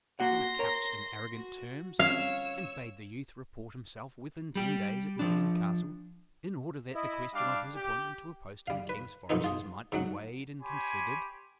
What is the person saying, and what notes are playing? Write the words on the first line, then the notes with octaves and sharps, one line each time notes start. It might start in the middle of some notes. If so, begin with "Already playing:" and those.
It was couched in arrogant terms, and bade the youth report himself within ten days at Nottingham Castle in order that the question of his appointment to a post in the King's Foresters might be weighed and considered.
A#3 F#4 F#5 C6 A#6
A#4 C#5
F#4
C#4 C#5 F5 E6
G3 G4
F3 D4
E4 D#5
G3 D4 F5 D6
G4
G3 F5
B4
A#1 F2 B2 C4 D#4
F4 G#4
G#2 F#3 F#5
G4 C#5 G#5 B5 C6